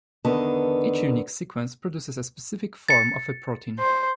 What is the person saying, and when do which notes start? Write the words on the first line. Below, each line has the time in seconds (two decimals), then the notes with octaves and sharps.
Each unique sequence produces a specific form of a protein.
0.25 E2 D3 D#3 B3 D#5 A5
2.89 A6 C#7
3.80 C5